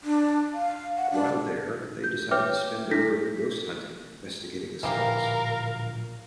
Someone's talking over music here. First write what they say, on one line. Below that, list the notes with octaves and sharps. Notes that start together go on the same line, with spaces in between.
While there, they decided to spend their break ghost hunting investigating the cells.
D4
F5
F#5
D4
G6
B4 C#5 E5 G5 D6 F6
D4 E4 A4 A#6 B6
D1 A#2 E3 F3 A#3 G4 A#4 F5